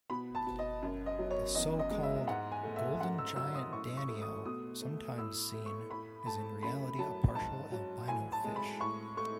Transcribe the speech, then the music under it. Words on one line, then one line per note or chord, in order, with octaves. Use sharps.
A so-called "golden giant danio", sometimes seen, is in reality a partial albino fish.
B2 B5
A5
B2
D#5
F#2
D#5
F#3
C#5
E2 D#5
D#5
G#3
E5
G#2 F#5
G#5
A3
E5
F#2 F#5
E6
F#3 E6
D#6
A2 C#6
C#6
A3
D#6
B2 D#6
A3
A2 E6
A3
C#6
A2 B5
A3 A5
F#2 B5
F#3 A5
G#2 A5
F#3
A2 G#5
A5
G#3
B5
A2 C#6
A3 C#6